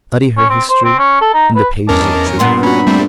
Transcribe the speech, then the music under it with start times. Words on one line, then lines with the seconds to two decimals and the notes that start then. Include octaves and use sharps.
Study her history in the pages of truth.
0.37 C#4
0.50 C4
0.70 C5
0.84 C4
0.98 C#4
1.21 A4
1.33 D#4
1.56 B4
1.89 E2 C#4 A#4 D#5 A5 D6
2.39 G2 A#2 B3 C6
2.63 C#4 F#4 B5
2.87 G3 A3 C4